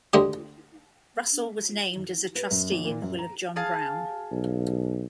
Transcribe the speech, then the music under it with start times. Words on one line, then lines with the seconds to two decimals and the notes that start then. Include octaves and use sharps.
Russell was named as a trustee in the will of John Brown.
0.13 D2 D3 G#3 D4 G4
2.35 B4
2.51 F#2
2.72 A#1
2.85 A#2
3.02 F#2
3.18 A#5
3.56 G#4 F5 A5
4.31 B1